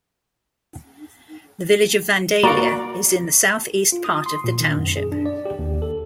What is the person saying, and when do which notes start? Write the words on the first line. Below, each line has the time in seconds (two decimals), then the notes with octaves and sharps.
The village of Vandalia is in the southeast part of the township.
2.43 A#3 F#4 D5 F5 A#5
3.92 F4
4.04 D#6
4.26 C6
4.44 A#2
4.60 D#3
4.77 F#2
4.97 G#4
5.12 D4
5.26 D5
5.46 G4
5.59 D#2
5.82 A4